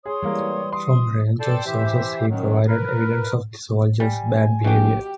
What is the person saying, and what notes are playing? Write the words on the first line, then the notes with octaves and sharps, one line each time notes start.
From a range of sources he provided evidence of the soldiers' bad behaviour.
G#4 C#5 C6 D#6
E3 G3 G#3 A#3
C6 D#6
A4 D5 G5 A5 C6 E6
E3 G4 C5 E5
F#2 D#3 F#3
A#4 B4
G3 G#5
A#1 B2 G4 G5